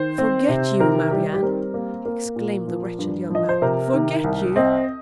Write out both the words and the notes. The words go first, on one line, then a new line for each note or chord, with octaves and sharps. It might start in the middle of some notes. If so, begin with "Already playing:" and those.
"Forget you, Marie-Anne!" exclaimed the wretched young man, "forget you!"
Already playing: D#3 C5
C4
C3
D#3 A#4
G3 G4
G4
C4 A#4
A#3
A#3
A#2
F3
G2
F3 D#5
C5
C3 A#4
D#3
C2
C4 D#5